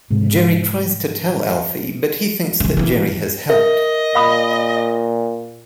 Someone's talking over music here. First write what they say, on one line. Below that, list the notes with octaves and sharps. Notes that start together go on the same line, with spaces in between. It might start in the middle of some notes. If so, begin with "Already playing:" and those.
Gerry tries to tell Alfie but he thinks that Gerry has helped.
G#2 C3
C#3 E3
E3 A#3
A#4 D#5 E5
A#2 F5 B5 D#6